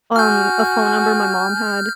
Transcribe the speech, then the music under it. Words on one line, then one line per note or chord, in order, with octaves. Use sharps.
um, a phone number my mom had
F#4 G#5 F6 G6